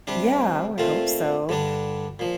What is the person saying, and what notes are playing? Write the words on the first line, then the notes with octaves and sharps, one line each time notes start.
Yeah, I would hope so.
C3 G3 D4 G4
A#2 A3 C4 F4
G2 D3 G3 D4
A#2 F3